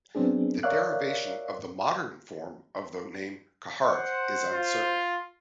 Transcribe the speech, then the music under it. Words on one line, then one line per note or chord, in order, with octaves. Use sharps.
The derivation of the modern form of the name "Carharrack" is uncertain.
F#3 B3 C4 D4 G#4
A#4 C#5 D5 E5 F5 F#6
C5 F#5
F4